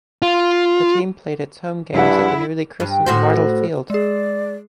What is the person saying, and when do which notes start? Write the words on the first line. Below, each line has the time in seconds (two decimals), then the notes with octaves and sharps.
The team played its home games at the newly christened Martell Field.
0.22 F4
1.94 G2 F3 E4 G#4 F#5
2.80 G2
3.06 A2 F#4 C5
3.90 G#3 G#4 D5